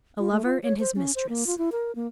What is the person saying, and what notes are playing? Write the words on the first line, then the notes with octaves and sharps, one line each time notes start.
A Lover and His Mistress.
F4
A3
F4
C#5
C5
C#4
C5
A#3
F4
E4
A#4
A#3